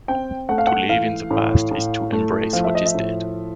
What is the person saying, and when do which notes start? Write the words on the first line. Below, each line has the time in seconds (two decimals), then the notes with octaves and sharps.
To live in the past is to embrace what is dead.
0.08 C4 G5
0.49 A3 F#5
0.58 F5
0.67 F#5
0.89 E3 F5
1.31 A2
1.71 A2
2.12 A3
2.53 F3 F5
2.64 E5
2.75 D#5
2.86 E5
2.95 A2